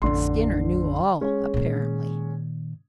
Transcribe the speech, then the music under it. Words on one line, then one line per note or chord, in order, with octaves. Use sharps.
Skinner knew all, apparently.
A1 F2 D3 C6
G#3 C#4
A#2 D#3